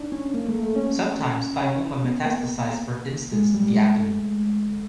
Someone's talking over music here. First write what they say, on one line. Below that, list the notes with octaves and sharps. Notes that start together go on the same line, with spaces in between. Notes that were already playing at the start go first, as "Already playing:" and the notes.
Sometimes thymoma metastasize for instance to the abdomen.
Already playing: D4 D#4
C#4
A#3
A3
A3
C#4
C#4
B3
A#3
G#3
G3
G#3
A3